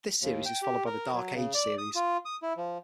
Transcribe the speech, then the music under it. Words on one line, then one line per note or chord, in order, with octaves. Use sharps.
This series is followed by "The Dark Age" series.
D#2
G5
G4
A#4
F#3
C#3
D5
D#6
F4
D#6
E4
F3